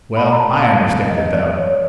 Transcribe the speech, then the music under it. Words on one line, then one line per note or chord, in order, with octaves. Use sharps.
Well, I understand it, though.
B5
A#5
A5
F5
D#5
D5
C#5